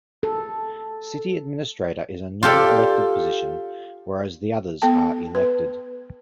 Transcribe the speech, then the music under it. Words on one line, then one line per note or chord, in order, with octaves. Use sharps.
City Administrator is a non-elected position, whereas the others are elected.
A4
F4 G4 A4 D5
B3 A4 G5 A5
B4